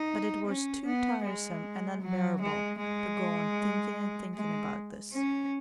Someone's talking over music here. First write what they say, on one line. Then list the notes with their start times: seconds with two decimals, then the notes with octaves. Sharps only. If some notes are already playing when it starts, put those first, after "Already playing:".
But it was too tiresome and unbearable to go on thinking and thinking about this.
Already playing: D#4
0.47 C#4
0.86 B3
1.24 G#3
2.02 F#3
2.41 G#3
2.79 G#3
4.35 G#3
5.12 C#4